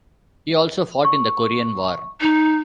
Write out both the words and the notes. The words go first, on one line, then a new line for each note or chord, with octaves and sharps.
He also fought in the Korean War.
C#6
D#4